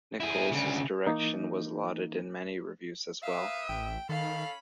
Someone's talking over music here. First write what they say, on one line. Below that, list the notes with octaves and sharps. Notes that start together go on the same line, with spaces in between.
Nichols' direction was lauded in many reviews as well.
E4 G#4
D2 C#3
E3 A#3 D#4
A#3 B4 E5 F5 D#6
A1 G5
D#3 C#4 A4 F5 B5